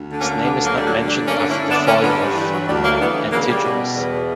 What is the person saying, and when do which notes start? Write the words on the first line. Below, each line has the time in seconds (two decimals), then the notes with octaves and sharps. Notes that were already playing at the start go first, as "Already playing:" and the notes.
His name is not mentioned after the fall of Antigonus.
Already playing: D2
0.11 D3
0.21 A#3 C#4
0.43 D2 G3 B3
0.64 F#3 A#3
0.74 D3 G3
0.86 F#3
1.07 G2 G3
1.28 A#3 C#4
1.39 D3
1.49 C#4 E4
1.71 D3 B3 D4
1.87 A#3 C#4
2.03 G2 G3 B3
2.19 G3
2.35 E3 G3
2.52 F#3
2.68 D2 G3
2.84 F#3 A#3
3.00 E3 G3 B3
3.32 C#3 F#3 A#3
3.48 G3
3.64 B2
3.96 E2